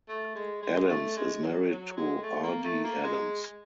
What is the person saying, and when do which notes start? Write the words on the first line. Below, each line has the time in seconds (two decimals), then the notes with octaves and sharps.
Adams is married to Ardee Adams.
0.08 A3
0.35 G#3
0.63 G#3
0.89 A3
1.16 G#3
1.42 F#3
1.70 F#3
1.97 G#3
2.23 A3
2.43 A#3
2.64 A3
2.84 A#3
3.04 G#3